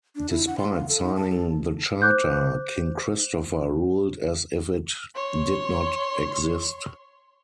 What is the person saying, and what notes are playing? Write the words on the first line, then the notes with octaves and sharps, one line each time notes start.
Despite signing the charter, King Christopher ruled as if it did not exist.
D4
E4
F#5
C6
F5
A4
D#4
A5
A4
C5 D6 F#6 G6
C#5 C6